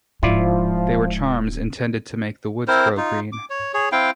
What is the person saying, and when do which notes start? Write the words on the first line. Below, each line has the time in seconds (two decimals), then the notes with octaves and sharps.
They were charms intended to make the woods grow green.
0.23 D1 G#2 F3 E4 F4 D5
2.68 C4 E4 A#4 C5
2.97 D#4 F4
3.32 D6
3.50 C#5
3.74 G#4 C#5
3.92 C4 E4 F5 G5